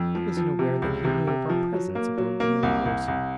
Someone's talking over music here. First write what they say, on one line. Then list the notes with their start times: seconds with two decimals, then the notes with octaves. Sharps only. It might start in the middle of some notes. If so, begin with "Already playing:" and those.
"I wasn't aware that he knew of our presence aboard the Milagrosa."
Already playing: F2
0.15 F3
0.37 F3
0.59 C3
0.82 C#2
1.05 C3
1.27 C3
1.49 F3
1.73 F#3
1.95 A#3
2.18 F#3
2.40 A#3
2.63 C2
2.86 C2
3.08 C2